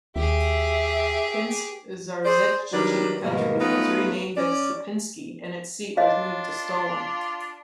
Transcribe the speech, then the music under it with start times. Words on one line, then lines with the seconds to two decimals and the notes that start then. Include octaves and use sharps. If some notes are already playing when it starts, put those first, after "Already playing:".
Pinsk-Zarzeche country was renamed as Zapynsky and its seat was moved to Stolin.
0.16 D#2 G4 G#4 E5
2.25 G#4 C5 D5
2.73 D#3 F#3 G3 D4 B4 D5
3.23 G#2 B2 D#3 G3 G#3 A#3
3.60 A3 B3 C#4 D#4 F4 B4
4.37 C#4 D5
5.97 D4 F4 C#5 D#5 F5